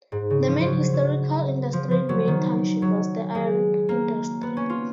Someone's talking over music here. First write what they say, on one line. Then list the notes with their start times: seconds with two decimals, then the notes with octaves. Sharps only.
The main historical industry in Main Township was the iron industry.
0.12 G#2
0.30 C#3
0.47 F3
0.60 F3
0.66 F#3
0.93 F#3
1.73 F3
1.91 F3
2.09 F#3
2.28 D#3
2.82 F#3
3.35 G#3
3.89 A#3
4.43 B3
4.57 C#4
4.70 F4